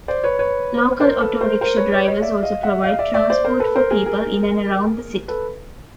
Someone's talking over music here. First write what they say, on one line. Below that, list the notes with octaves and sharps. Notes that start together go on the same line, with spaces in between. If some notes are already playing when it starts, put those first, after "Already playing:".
Local Auto-Rickshaw drivers also provide transport for people in and around the city.
C5 D5
B4 C#5
B4 C#5
A#4 C5
A4 B4
A#4 C5
A#4 C5
B4 C#5
B4 C#5
C#5 D#5
D5 E5
D#5 F5
E5 F#5
D#5 F5
D5 E5
D5 E5
C5 D5
A#4 C5
A4 B4
A#4 C5
G#4 A#4
G#4 A#4
A4 B4